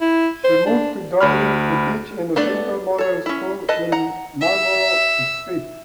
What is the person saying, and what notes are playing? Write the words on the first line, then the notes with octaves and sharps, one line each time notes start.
She moved to Dublin to teach in the Central Model School in Marlborough Street.
E4
C5
D4
D2 B5 F6
A3 B3 D4 D5
A4 C#5
C#4 E4
A4 B4 D#5 A5
F#5 A#5
E5